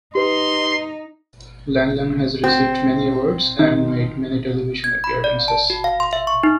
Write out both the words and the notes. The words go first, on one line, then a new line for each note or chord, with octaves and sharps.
Lang Lang has received many awards and made many television appearances.
D#4 G4 B4 C6
C4 F#4
D#3 D#4
G#6
B5
D5
A5
F#4
F5
C6
E5
C#6
D#4